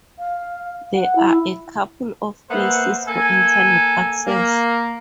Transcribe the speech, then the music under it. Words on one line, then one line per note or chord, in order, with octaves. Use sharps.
There are a couple of places for internet access.
F5
F#5
E4
A#3 B3 C5 E5 F#5
A#3 A4 G#5
A#3